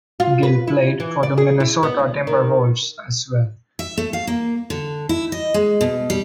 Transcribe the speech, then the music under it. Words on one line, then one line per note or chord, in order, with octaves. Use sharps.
Gill played for the Minnesota Timberwolves as well.
F4
B4
E4
E3
D5
G#4
E4
B3
D2
D#3
E5
A3
F5
A#3
D3
E4
D#5
G#3
B2
G3